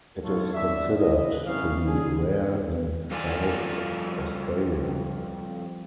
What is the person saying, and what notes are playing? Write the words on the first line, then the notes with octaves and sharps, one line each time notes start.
It is considered to be rare in South Australia.
F#3 B3 D#4 F4 A4 C#5
D#2 B3 D5 E5
E4 D#5
G#1 F#2 C3 G3 C#4 F5
C#3 G3 D4 G#4
F2 G3 F4 A4 D5 G#5